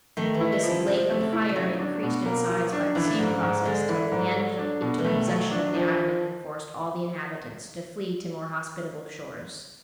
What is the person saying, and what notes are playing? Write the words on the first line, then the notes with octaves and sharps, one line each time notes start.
This lake of fire increased in size by the same process till in the end it took possession of the island and forced all the inhabitants to flee to more hospitable shores.
D#3 A3
E3
E4
D#3
F3
C#3
C3 C4
A3
C3
E4
D3
C#3 F#3
D4
B2
A#3
F#3
D4
C#3 E3
D3
C#3
G#2
G#2
D3 G#3
E3
G#2
F#3
D4
B2
E3
D#3 A3
F#3
D4
F3